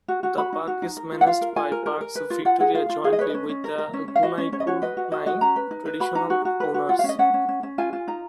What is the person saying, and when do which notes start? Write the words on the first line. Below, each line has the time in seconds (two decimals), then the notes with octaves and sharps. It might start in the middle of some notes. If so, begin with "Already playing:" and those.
The park is managed by Parks Victoria jointly with the Gunaikurnai Traditional Owners'.
0.08 F#4
0.23 F#4
0.38 F#4 B5
0.53 D#4
0.67 F#4
0.82 D#4
0.97 A#4
1.12 F4
1.21 F#5
1.27 F4 F5
1.41 A#4
1.56 F4 G#5
1.72 A#4
1.86 A#4
2.01 A#4
2.15 B4
2.30 F4
2.45 F4 F#5
2.60 G#4 F#5
2.75 F4 F5
2.89 F4
3.04 G#4 F5
3.13 D#5
3.19 B4 C#5
3.30 C#4 D#5
3.49 C#4
3.64 A#4
3.78 A#4
3.93 C#4
4.08 C#4
4.16 F5
4.23 F#4 D#5
4.38 C#4
4.52 C#4 C#5
4.60 D#5
4.67 F#4 C#5
4.82 B4 D#5
4.97 F#4
5.12 F#4 D#5
5.26 F#4 D#5
5.41 C#4 A#5
5.56 B4
5.71 D#4
5.86 B4
6.00 F#4 B5
6.15 D#4 A#5
6.30 F#4
6.45 F#4
6.60 B4
6.74 F#4
6.89 F4 F#5
6.99 F5
7.04 C#4
7.09 D#5
7.19 C#4 F#5
7.34 C#4
7.49 C#4
7.63 C#4
7.78 F4 G#5
7.93 F4
8.08 D#4 A#5